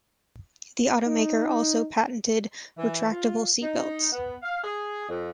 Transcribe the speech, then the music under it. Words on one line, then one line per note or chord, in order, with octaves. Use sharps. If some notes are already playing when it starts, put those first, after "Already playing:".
The automaker also patented retractable seatbelts.
D#4
E3
F4
D#4
B3
F5
G#4
F2